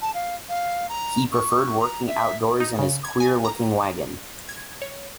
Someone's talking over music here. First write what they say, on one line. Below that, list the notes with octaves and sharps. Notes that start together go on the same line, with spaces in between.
He preferred working outdoors in his queer-looking wagon.
A5
F5
F5
A#5
C#6
A#5
E5
D#4
C#3
G#6
G#5
A#5
G#6
C#5